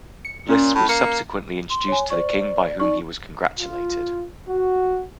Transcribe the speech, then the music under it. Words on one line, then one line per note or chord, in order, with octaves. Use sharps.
Bliss was subsequently introduced to the King by whom he was congratulated.
C#7
A#2 C#4
A2
A#3 C#7
C6
C#5 G#5
C5 D5 C#6
D#4 D5 C#6
F4
F#4